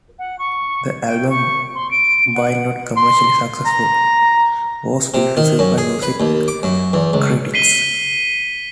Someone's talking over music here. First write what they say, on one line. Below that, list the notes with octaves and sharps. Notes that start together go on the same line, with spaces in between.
The album, while not commercially successful, was well-received by music critics.
F#5
C#6
G5
C#6
C6
D7
F#5
C6
A#5
C3
D#3
F#2
G#4
B4
D#2
D6
F#2
E2
C#2
B6 C7 D#7 G7